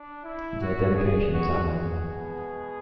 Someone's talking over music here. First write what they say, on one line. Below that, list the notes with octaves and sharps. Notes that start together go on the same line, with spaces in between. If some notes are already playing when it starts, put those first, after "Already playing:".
Their dedication is admirable.
Already playing: D4
E4
F#4
G#4
F#4
G#4
B2 G#3 B3